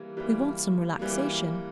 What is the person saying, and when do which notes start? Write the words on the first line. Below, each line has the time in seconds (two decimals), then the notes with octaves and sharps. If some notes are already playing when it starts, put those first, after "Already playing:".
"We want some relaxation."
Already playing: E3 G3 A#3
0.17 E3 G3 A#3
0.99 E3 G3 A#3